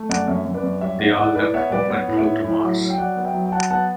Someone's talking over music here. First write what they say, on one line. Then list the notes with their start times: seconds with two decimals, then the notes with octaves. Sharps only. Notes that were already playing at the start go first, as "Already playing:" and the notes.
They all left home and flew to Mars.
Already playing: A3
0.09 F#2 D5 F#5
0.27 F#2 C#5 E5
0.45 F#2
0.54 B4 D5
0.63 F#2
0.81 G3 C#5 E5
1.00 B3 C#5 E5
1.18 A2 D5 F#5
1.36 A2 B4 D5
1.54 B3 C#5 E5
1.72 G3 B4 D5
1.90 B3 C#5
2.08 A2
2.17 C#5 E5
2.26 A2
2.44 A2
2.63 F#3
2.80 F#3
2.90 G5
2.98 F#3 D5 F#5
3.16 B3
3.25 E5 G5
3.34 F#3
3.46 G5
3.52 F#3 F#5 A5
3.70 B3 F#5 A5